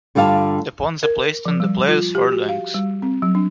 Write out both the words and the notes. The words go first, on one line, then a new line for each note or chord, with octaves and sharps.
The pawns are placed on the players' third ranks.
G2 D3 G3 F4 F5 A5
A#4
F3
G3
F4
G4
F#4
F5
G3
C4
F#3
D4